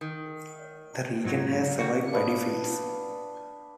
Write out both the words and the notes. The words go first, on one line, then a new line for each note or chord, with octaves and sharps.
The region had several paddy fields.
D#3
G#2 F#3 D#4
D3 G3 A#3 F#4
D4 B4 F5 D#6